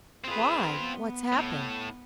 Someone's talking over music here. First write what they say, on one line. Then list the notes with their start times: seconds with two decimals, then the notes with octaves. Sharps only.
'Why, what's happened?
0.24 C4 F4 G#4 B4
0.78 B3
1.32 A2